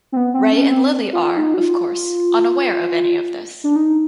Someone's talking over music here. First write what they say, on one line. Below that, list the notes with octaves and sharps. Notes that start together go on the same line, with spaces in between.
Ray and Lily are, of course, unaware of any of this.
C4
B3
C4
C#4
C4
F4
D#4
F#4
F4
D4
D#4